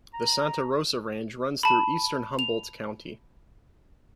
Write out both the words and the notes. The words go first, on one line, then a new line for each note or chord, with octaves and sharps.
The Santa Rosa Range runs through eastern Humboldt County.
A#5
A5 B5
F7